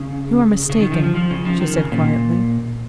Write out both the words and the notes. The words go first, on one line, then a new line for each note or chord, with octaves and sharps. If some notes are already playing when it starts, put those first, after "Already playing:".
"You are mistaken," she said, quietly.
Already playing: C#3
C#3
D#3
F3
F3
F3
C#3
F3
D#3
C#3
A#2